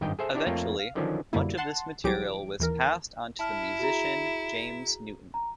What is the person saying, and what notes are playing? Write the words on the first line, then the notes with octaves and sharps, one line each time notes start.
Eventually much of this material was passed on to the musician James Newton.
G#1 G2 D#3 G4 D#5 G5
G#4 A4 C5 E5
D4 E4 G4 C#5
F2 A3 A#3 F4 C#5 G5
F5
D3 D#3 F3 F#3 C#4 D4
F#2 B2 D3 G3 A#3 E4
F#5 A5 C6
C2 E3 F#3 G4 D7
D#2 E3 A#4
E4 A5 F6
F#4 G#4 A#5
A#5